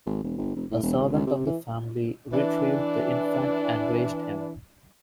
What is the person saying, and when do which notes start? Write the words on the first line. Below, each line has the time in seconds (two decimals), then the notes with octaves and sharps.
A servant of the family retrieved the infant and raised him.
0.06 G#1
0.24 E1
0.38 G1
0.56 F1
0.71 A2
0.83 E1
0.99 G#1
1.13 C#2
1.27 C3
1.47 E3
2.33 E3 D4